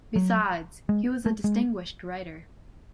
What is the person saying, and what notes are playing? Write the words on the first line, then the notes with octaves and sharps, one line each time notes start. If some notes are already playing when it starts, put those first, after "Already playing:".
Besides, he was a distinguished writer.
F#3
G#3
A3
G#3